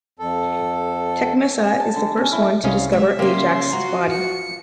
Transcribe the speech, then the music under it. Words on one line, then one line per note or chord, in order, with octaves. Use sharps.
Tecmessa is the first one to discover Ajax's body.
F2 A4
G#5
A5
D3
C#4
E4
C2 C#4 D#5 F5
F#3 G#3 E5
C#3 A#3 C#4 G4 C6
F4 F#4 A#5
C#7